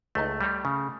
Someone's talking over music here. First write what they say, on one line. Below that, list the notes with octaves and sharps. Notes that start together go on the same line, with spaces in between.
oh, yeah,
C#2 A3
G3
C#3